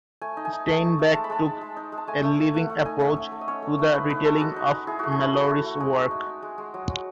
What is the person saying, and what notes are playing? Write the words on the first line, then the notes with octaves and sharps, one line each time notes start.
Steinbeck took a "living approach" to the retelling of Malory's work.
A3 G#5
D#4
G#5
D#4
A3 A5
D#4
A3
G#3 A5
B5
G#3 A5
D#4
G#3
D#4
G#3
A5
A3 G#5
A3
A3
A3 F#5
A3 F#5
D#4 G#5
C#4 E5
A3
A3
D#5
C#4 C#5
A3
A3
D#4 B4
D#4 B4
G#3 A4
G#3 F#4
D#4
D#4
E4 G#4
A3 F#4
G#4
E4
A3 F#4
A3
A3
G#3 G#4
D#4
D#4
D#4
G#3
G#3
F#3
F#3